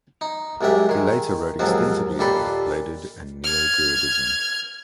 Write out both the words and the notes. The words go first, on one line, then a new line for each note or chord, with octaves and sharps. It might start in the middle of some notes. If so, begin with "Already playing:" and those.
He later wrote extensively about Bladud and Neo-Druidism.
D#4
C2 F#2 G#3 G4 E5
D#3 G#4
D#2 G#2 F3 F#3 C4
D#2 A#2 G4 A4 B5 C6
F6 G#6